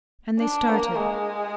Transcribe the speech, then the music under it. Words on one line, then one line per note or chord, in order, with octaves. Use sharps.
And they started.
D4
A#3
G#3